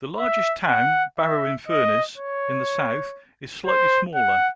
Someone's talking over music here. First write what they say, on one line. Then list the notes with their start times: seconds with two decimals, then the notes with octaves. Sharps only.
The largest town, Barrow-in-Furness, in the south, is slightly smaller.
0.20 E5
0.69 F#5
1.19 E5
1.68 D#5
2.17 C#5
3.66 C5
4.15 F#5